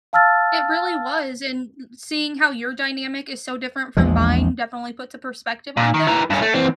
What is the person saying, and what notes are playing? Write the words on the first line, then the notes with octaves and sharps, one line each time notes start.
It really was and seeing how your dynamic is so different from mine definitely puts a perspective on things,
F5 A5 E6 F6 A6
A#1 E2 F3 G#3
A#2
D#3
E3 A#4
G2 C#4
A3
E3 C4